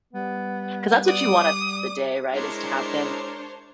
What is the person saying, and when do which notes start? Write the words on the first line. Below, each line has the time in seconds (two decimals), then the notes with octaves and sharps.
'Cause that's what you want at the day, right? Is to have him
0.13 G3 B3
1.08 D5 D#6
2.33 G#3 D4 E4 A#4 C5 C#5